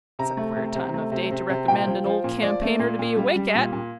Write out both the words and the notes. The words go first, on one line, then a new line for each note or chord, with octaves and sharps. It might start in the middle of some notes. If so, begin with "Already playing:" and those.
That's a queer time of day to recommend an old campaigner to be awake at!
C3 A#5
A3
C3
C3
A3
C3
C3
C3
A#2 G5
F3
F3
A#2
F3 D5
A3
A#2
A#2
G3
G3
A#2
A#2